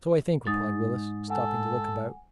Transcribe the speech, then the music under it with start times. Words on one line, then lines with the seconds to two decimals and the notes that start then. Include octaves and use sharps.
"So I think," replied Willis, stopping to look about.
0.47 G#2 D#4 D#6 A6
1.30 A4 F#5 G#5